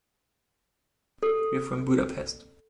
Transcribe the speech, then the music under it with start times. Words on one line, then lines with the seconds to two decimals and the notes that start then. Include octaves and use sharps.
We’re from Budapest.
1.23 A4